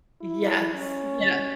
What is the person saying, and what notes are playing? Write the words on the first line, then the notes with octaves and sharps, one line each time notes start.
Yes, yeah.
E4
C#4